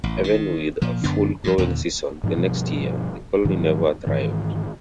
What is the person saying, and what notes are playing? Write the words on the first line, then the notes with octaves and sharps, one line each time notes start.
Even with a full growing season the next year, the colony never thrived.
A1
D#3
A#2 F3
F#2 D3 B3 D4
G2 F3
D#2 A#2 D3
G#2 F3 D4
G2 B2 F3
G#2 D#3 F3 F#3
G#2 D#3 E3